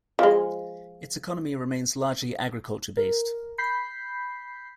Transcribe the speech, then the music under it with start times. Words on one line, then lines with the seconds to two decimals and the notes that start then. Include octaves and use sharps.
Its economy remains largely agriculture-based.
0.19 F3 G#3
2.97 A#4
3.58 B5 G6 B6 C7